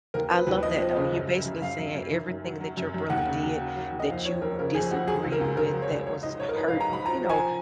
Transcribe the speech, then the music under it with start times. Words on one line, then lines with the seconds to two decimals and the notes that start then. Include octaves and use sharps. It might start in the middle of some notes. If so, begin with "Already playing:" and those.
I love that, though. You're basically saying everything that your brother did that you disagree with that was hurt you know,
0.14 D#2 A#4
0.31 F3 B4
0.46 D#2 B4
0.63 F3 D#5
0.80 F3
0.96 C#3
1.12 F#2
1.29 F#2
1.45 F#2
1.62 F#2 F5
1.78 F#2
1.95 F#2
2.11 D#3
2.28 F#2
2.44 F#3
2.61 F#3
2.77 F#2
2.94 F#2
3.10 D#2 F#5
3.26 C#3
3.43 F#3
3.60 F#3
3.76 F#3
3.92 D#2
4.00 D#5
4.09 F2 F5
4.25 F3 C#5
4.42 F2 A#4
4.59 C#3 A#4
4.74 F2 G#4
4.91 F2 F#4
5.07 F#3 G#4
5.24 C#2
5.32 A#4
5.41 C#2
5.57 C#2 A#4
5.74 F#3
5.82 C#5
5.91 C#2
6.06 F#3 C#5
6.23 G#2 D#5
6.40 F#3 C#5
6.49 A#4
6.56 G#2 B4
6.68 F5
6.73 G#2
6.80 A#5
6.89 F#3 B5
7.06 F3 A#5
7.22 F3
7.29 G#5